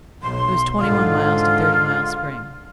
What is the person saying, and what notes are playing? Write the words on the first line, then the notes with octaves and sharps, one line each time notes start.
It was twenty-one miles to Thirty Mile Spring.
B1 C6
G#2 D3 F4